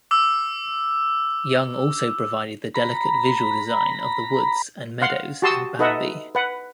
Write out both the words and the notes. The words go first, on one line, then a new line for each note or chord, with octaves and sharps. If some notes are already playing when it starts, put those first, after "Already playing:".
Young also provided the delicate visual design of the woods and meadows in "Bambi".
D6 E6
A#5 B5
F5 F#5 C6
F#4 G4 A5 C6 D#6 E6
D#4 A4 B4 D#5 E5 F#5
B4 F#5